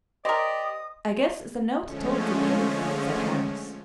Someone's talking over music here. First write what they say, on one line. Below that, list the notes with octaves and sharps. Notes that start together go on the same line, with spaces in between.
"I guess the note told the truth," said Harris.
G4 A#4 C5 D5 D#5 D#6
D3 F3 G#3 A3 C#4